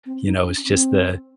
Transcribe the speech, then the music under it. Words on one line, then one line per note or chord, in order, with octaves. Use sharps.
you know, it's just the,
C4
D#4
C#4
C4